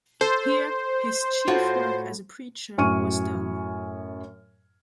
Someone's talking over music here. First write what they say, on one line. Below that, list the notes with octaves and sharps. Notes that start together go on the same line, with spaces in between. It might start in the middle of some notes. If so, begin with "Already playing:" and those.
Here his chief work as a preacher was done.
A4 C5
A2 F4 F#4
F#2 A2 G#5 C#6 F6 D#7